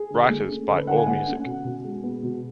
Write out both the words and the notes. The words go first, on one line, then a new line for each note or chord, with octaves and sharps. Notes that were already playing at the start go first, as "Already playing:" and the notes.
Writers by Allmusic.
Already playing: G#4
D3
A3
C#4
D3 A4
B4
D3 F#5
G#5
A3 F#5
C#4
B2
B2
G#3
B3
B2